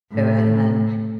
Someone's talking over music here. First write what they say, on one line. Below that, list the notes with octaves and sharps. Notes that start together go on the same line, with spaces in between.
it, and then,
A2